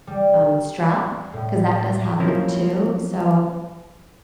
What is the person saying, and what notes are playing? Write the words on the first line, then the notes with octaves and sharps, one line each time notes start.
um, strap, 'cause that does happen too, so,
G3
A2
F3 F#3 A#3 C4 C#4 E4